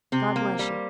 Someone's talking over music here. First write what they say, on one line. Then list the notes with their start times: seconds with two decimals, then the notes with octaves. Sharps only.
'God bless you!
0.12 C3 C4
0.36 A#3
0.59 G3